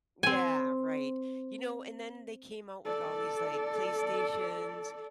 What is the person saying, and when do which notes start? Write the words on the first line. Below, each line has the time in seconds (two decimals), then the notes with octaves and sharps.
yeah, right, you know, and then they came out with all these like, PlayStations
0.23 C4 G#5
2.85 A4 D5